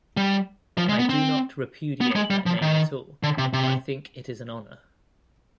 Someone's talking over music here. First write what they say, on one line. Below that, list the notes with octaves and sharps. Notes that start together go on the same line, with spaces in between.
I do not repudiate that name at all. I think it is an honour.
G3
F3
G#3
B3
C4
B3
G#3
G3
F3
D#3
D3
C3
C3